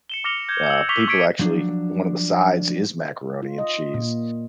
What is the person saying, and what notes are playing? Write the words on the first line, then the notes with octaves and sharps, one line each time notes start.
Uh, people actually one of the sides is macaroni and cheese.
C#7 E7 G7
D6 F6 A#6 C#7 F7 G7
G6 G#6
E6 G6
C#6 D6 B6 F7 G7
C#6 E6 G#6 B6 C#7 D7
F3 F#3 D4
F4
D#5
A#2